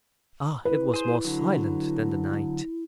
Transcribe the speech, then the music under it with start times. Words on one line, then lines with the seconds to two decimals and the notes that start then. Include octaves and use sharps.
Ah! it was more silent than the night.
0.65 E4 B4
0.94 G#4 C5
1.25 D3 F#3